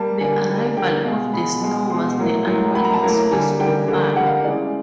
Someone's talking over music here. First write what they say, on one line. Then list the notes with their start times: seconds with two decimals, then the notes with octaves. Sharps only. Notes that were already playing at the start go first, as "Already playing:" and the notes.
The arrival of the snow was the annual excuse for fun.
Already playing: G3 A#3 A5
0.20 D3 G3 A#3 G#5
0.49 D3 G3 A#3
0.77 D3 G3 A#3 G5
1.05 B2 G#3 F5
1.33 B2 G#3 B5
1.62 B2 G#3
1.90 B2 G#3 C6
2.18 A2 F#3 A#3
2.47 A2 F#3 A#3
2.75 A2 F#3 A#3 B5
2.84 A#5
2.94 A5
3.03 A2 F#3 A#3
3.32 D3 G3 A#3 G#5
3.60 D3 G3 A#3 G5
3.88 D3 G3 A#3
4.16 D3 G3 A#3 F#5
4.26 F5
4.44 C#3 E3 G#3 D5